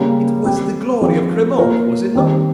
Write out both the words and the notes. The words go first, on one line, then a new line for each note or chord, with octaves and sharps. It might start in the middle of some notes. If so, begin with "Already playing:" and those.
It was the glory of Cremona, was it not?
Already playing: C#3 G3 A#3
G3 C4 G4
F3 C4 F4 G#4
A#3 F4 A#4 C#5
D#3 G3 C4 G4 C5